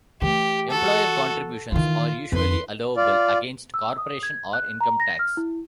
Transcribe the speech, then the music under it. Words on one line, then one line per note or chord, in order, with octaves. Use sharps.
Employer contributions are usually allowable against corporation or income tax.
E3 A3 G4
F#4 A4
D#3 E3 F4
F2 B4 C6
F4 D5
E6
D#6
G#6
F#6
A#5
A#6
F6
E4